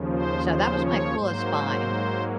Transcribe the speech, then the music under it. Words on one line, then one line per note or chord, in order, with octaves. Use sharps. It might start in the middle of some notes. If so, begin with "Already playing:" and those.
So that was my coolest find.
Already playing: D#2 C#3 F3
C5
C5
C#5
G#2 F#3 A#3 C5